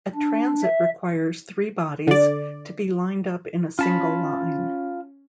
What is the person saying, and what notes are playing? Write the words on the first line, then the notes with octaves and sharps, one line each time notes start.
A transit requires three bodies to be lined up in a single line.
D4
E5
D3 D5
C#4 F4 A5 B5